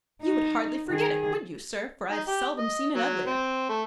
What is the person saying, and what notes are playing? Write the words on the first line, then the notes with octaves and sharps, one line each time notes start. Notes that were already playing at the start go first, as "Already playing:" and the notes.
You would hardly forget it, would you, sir, for I've seldom seen an uglier.
D#4
D#3 G#4
D#4
G4
D#5
F#3
C4
A3